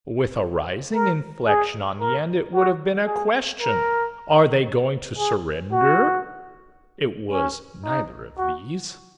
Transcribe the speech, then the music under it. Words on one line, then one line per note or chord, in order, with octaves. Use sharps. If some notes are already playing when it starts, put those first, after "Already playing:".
With a rising inflection on the end it would have been a question. "Are they going to surrender?" It was neither of these.
A#4
G#4
A#4
F#4
G#4
A#4
G#4
F#4
C#4
D#4
F#4